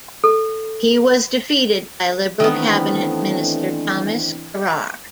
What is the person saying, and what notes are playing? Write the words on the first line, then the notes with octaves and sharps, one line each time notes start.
He was defeated by Liberal cabinet minister Thomas Crerar.
A4
D#3 E3 A3 B3 C4 D4